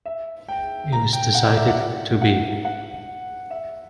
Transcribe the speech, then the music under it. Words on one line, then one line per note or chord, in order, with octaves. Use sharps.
It was decided to be.
E5
G5
A#5
G5
F#5
D5
E5
F#5
F#5
F#5
E5